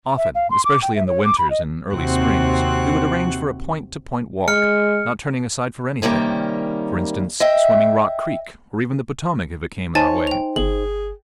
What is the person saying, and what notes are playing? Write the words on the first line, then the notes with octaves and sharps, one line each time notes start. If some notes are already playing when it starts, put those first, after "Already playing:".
Often, especially in the winters and early springs, we would arrange for a point to point walk, not turning aside for anything--for instance, swimming Rock Creek or even the Potomac if it came in our way.
E5
F5
C6
D6
G5
E5
C#5
D6
B5
D#5
D#2 C3 C4 F#4 F#6
G#3 F6 C#7
C3 D#3 G3 A#3 C#4
D#5 E5 G5
D#4 C5 C#5 G#5 A5 A6
G5 F7
G1 G#4 F#7